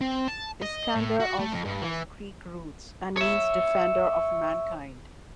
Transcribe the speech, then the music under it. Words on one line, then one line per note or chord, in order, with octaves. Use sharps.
Iskander also has Greek roots, and means Defender of Mankind.
C4
A5
D#5
A2
F#4
A3
F2
G2
E3
C#5 E5